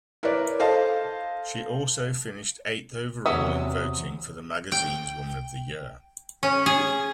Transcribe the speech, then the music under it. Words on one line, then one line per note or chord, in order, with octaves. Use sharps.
She also finished eighth overall in voting for the magazine's Woman of the Year.
E4 A#4 B4 C#5 D5
A4 C5 D#5 F5 A5
E2 C3 F#3 C#4 E5 D#6
G5
C#4
G#4